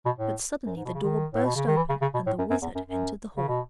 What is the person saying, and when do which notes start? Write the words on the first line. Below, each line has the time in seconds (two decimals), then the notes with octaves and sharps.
But suddenly the door burst open, and the wizard entered the hall.
0.06 B2
0.19 A2
0.66 F#2
0.76 G#2
0.85 B2
0.95 C#3
1.04 D#3
1.34 A2
1.45 B2
1.56 C#3
1.67 D#3
1.77 E3
1.89 C#3
2.02 C#3
2.14 B2
2.27 A2
2.39 F#2
2.51 F#2
2.62 E2
2.75 F#2
2.88 F#2
3.37 C#3
3.48 B2